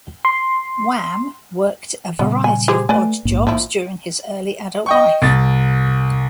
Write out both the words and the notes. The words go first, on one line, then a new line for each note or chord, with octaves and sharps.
Wham worked a variety of odd jobs during his early adult life.
C6
A#2 C#3 G3 B3
G#5
G4 G#4 C5
A3 B4 D5 G#5
A#1 G#2 A#3
A1 D#3 F3 A#3 E4
D#5 G5 C#6
C2 A6